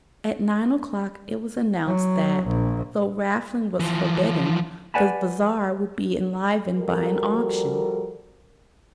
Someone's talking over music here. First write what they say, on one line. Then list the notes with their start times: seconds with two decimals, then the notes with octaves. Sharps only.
At nine o'clock it was announced that, though raffling was forbidden, the bazaar would be enlivened by an auction.
1.86 F#3
2.47 A#1
3.80 E3 F3
4.94 B4 D5 F#5 G#5 A5 B5
6.78 F3 G3 F#4 A4 A#4